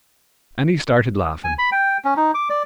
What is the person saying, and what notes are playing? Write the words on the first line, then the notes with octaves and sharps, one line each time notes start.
And he started laughing.
G#5
B5
G5
C#4
D#4
D6
D5